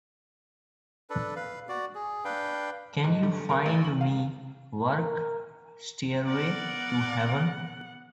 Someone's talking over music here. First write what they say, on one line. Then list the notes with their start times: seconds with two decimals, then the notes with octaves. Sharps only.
Can you find me work, Stairway to Heaven?
1.10 D4 A4 B4
1.36 B4 F5
1.69 F#4 D5
1.95 G#4
2.25 D4 B4 F5 G5
3.04 G#2
3.23 D3
3.49 A#4
3.66 A1
3.84 F#7
4.01 F5
4.93 A#4
6.25 B3 A#4 D5 F#5